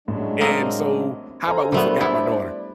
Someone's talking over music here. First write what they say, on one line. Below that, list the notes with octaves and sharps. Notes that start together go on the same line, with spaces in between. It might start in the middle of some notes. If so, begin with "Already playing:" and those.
and so, how 'bout we forgot my daughter?
A1 A2 F#3 G#3 D4
A#3 C4 D#5
A4 C5 D#5 F5 G#5 A#5
A#2 F#3 G3 A3 B3 D4 C5
B3 E4 D5